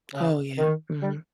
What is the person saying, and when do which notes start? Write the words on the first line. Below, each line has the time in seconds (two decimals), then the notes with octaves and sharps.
Oh yeah, mhm.
0.14 C#3
0.58 D#3
1.03 G3